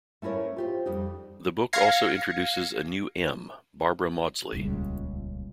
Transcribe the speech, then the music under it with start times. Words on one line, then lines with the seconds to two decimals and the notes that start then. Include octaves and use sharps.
The book also introduces a new M, Barbara Mawdsley.
0.22 A3 C#4 E4 A#4 C#5
0.57 F4 G4 C5
0.86 F2 G3 D#4
1.73 F5 G#6 A#6 C7 C#7
4.52 D#1 C#2